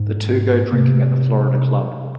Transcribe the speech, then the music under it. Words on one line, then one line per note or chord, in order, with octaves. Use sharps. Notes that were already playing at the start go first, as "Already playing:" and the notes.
The two go drinking at the Florida Club.
Already playing: G#2
C3